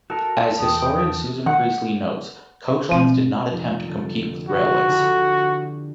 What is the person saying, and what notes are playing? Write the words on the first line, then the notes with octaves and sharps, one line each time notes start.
As Historian Susan Priestley notes, Coach lines did not attempt to compete with... railways.
F#4 A4 A#4
E2 G5 D#6
D#3 F#5
D2 B2 C4
F1
D3 A6
F#4
D3 E4 G4